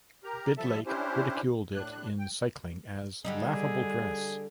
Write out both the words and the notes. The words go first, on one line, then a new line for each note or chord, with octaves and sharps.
Bidlake ridiculed it in Cycling as Laughable Dress.
G4 A#4 A#5
D#2 F3 G3 A4 E5 A5
C#4 D4 E4 G4 C5
A2 D4 F#6
G5
D3 G3 D#4 G#4